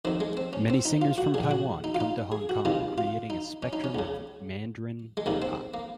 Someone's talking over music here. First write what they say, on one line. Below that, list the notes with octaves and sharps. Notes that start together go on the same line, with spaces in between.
Many singers from Taiwan came to Hong Kong creating a spectrum of Mandarin pop.
F2 D#3 C4
G#3
C4
C#4
C4
D#4
F4
F#4
A#1 A#2 G#4
F#4
D#4
F4
D#4
G#4
F#4
C2 C3 D#3 F4
F4
D#4
C#4
D#4
C#4
C#2 C#3
G#3
C#2 C3 D#3 A#3
C4
A#3